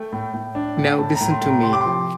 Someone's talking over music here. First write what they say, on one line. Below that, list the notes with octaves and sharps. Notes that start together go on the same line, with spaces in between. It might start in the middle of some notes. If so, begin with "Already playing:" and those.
Now listen to me.
Already playing: A3 G5
A2
A2
D4
A2
A2 A5
A#5
A2
C6
A2
A#5
C3 C6
D6
F3 C6